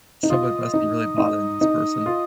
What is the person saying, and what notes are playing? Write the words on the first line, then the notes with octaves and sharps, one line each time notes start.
Someone must be really bothering this person.
D#4
F4 D#5
D#4
D#4
D#4
F4